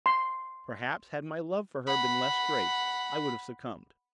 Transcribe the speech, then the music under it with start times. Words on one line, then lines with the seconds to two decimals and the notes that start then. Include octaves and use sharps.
Perhaps had my love for her been less great, I would have succumbed.
0.06 C6
1.87 F#5 B5